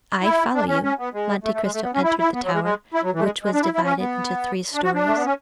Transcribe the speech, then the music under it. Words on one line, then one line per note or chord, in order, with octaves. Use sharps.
"I follow you." Monte Cristo entered the tower, which was divided into three stories.
E4
D4
C#4
C#4
B3
G#3
A3
A3
G#3
A3
B3
C#4
E4
E4
B3
F#3
G#3
G#3
E4
F#3
E3
A3
G#3
G#3
D4
E4
E4
C#4
B3
D4
F#4
D4
A3
B3
C#4